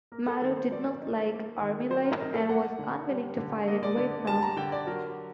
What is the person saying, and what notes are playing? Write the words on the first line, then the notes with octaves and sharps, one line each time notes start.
Marrow did not like Army life and was unwilling to fight in Vietnam.
A#3 A#4
A4
D#3 A4
C5
F#3 D5
D#4
A#3
D#3
F#3 C5
A#4
D#4 A#4
A4
A#3 F#5
D3
G3
D3
A#3 D#5
D5
D3 D5
G3 A5
A#5
D3 G5
D5
F#3 A#4